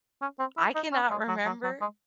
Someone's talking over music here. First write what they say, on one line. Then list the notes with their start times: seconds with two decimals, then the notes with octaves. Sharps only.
I cannot remember.
0.22 C#4
0.39 C4
0.57 E4
0.75 D#4
0.93 C#4
1.11 G#3
1.28 F#3
1.46 F#3
1.64 F#3
1.81 G#3